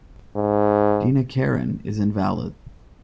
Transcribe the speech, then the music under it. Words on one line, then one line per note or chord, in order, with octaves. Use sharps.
Dinakaran is invalid.
G#2